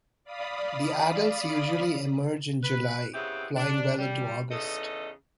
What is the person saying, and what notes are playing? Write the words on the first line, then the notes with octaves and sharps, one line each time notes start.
The adults usually emerge in July, flying well into August.
D5 F5 B5 D#6
B4
C#3 B3 C4 E4 G4
D4
G3
E2 C#3 D#4 A4 D#5